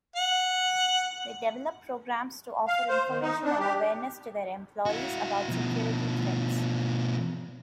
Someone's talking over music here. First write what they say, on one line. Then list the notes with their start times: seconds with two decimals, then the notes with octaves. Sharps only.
They develop programs to offer information and awareness to their employees about security threats.
0.16 F#5
2.68 F5
2.89 C5
3.09 D#3
3.22 D#4
3.44 D4
3.59 G4
4.86 E4 F#4
5.48 B2 F3